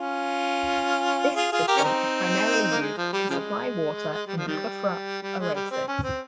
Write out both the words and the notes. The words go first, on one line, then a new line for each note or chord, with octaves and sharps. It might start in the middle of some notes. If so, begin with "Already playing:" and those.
This system is primarily used to supply water in the Kufra oasis.
Already playing: C#4 F4
F4 G#4
F4 G#4
G4 A#4
C#4
C4 D#4
A#3
G#3
F3
G3
C#3 F3 G#3
G3
F3
D#3 G3
G3
G#3
G3
C4
C#4
C4